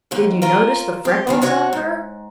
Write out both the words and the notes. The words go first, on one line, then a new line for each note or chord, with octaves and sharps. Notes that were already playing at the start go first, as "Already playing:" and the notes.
Did you notice the freckles of her?
D#2 G#2
F4 A#4 C5
C4 G4
E2 D#3 G3
C3 F#4 C#5 F#5
G#2